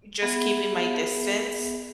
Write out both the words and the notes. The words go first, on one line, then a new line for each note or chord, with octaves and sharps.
just keeping my distance.
B3 G#4 E5 F#5